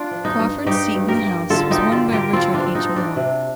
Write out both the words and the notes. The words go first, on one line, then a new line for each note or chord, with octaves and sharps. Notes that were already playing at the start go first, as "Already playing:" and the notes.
Crawford's seat in the House was won by Richard H. Moore.
Already playing: D4 F4
F3
D#4
G2
G2 D#4 G4
G2
G4 A#4
A#3
D3 F4 A4
D#4 G4
D3
F4 A4
D3
G4 A#4
C4 F4 A4
D4 F4
C4
D#4
C4
D4
C3